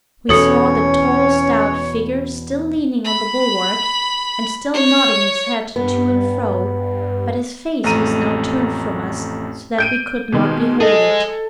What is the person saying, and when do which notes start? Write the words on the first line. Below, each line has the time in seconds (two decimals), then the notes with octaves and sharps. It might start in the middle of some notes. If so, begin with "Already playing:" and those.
We saw the tall stout figure still leaning on the bulwark, and still nodding his head to and fro, but his face was now turned from us so that we could not behold it.
0.29 E2 B2 C#4 A4 C#5 D#6 C#7
3.05 B5
4.74 C#5
5.76 G2 B3
7.84 A1 F2 A3 A#5 D#7
9.78 G6 D7 D#7
10.32 B2 D#3 G#3
10.80 G#4 A4 D#5